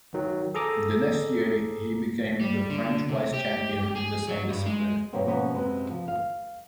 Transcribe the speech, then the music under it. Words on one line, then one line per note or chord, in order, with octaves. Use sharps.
The next year, he became the French vice champion in the same discipline.
D#3 F#3
G#4 A4 A#5 D6 D#6
G3
D3
C3
G4
G#4
F#3
G2
G#3
G2 B2 F#3 G3 A#3 C4
G#2 B2 F3 A#3 B3 C#4
F#2 C3 G#3 B4
F3
F5